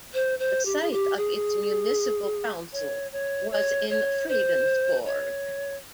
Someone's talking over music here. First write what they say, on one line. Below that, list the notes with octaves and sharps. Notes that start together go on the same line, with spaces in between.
The site of its municipal council was in Fredensborg.
C5
C5
G4
G#4
G4
G#4
C#5
C#5
C#5
C#5
C5
C#5